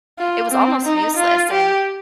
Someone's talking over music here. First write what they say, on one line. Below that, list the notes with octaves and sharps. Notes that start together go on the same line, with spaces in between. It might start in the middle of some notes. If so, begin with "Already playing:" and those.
it was almost useless and
F4
C4
D#4
F4
G4